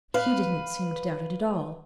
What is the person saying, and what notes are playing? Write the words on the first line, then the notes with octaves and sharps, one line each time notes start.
"He did'nt seem to doubt it at all."
B4 F5